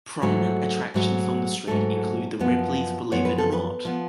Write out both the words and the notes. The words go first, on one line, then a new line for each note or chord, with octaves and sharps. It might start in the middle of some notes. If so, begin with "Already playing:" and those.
Prominent attractions on the street include the Ripley's Believe It or Not!
G#2 F#3 A3
G#2 F#3 A3
G#2 F#3 A3 A4
F#2 F3 B3
F#2 F3 B3 C#5
B4
A4
B4
F3 B3